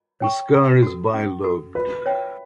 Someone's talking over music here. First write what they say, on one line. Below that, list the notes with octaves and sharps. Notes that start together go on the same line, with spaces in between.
The scar is bilobed.
C#5 G5 C#6
C#4
F#4 A4
C#4
F#4 A4
F#4 B4
C#5 E5 G5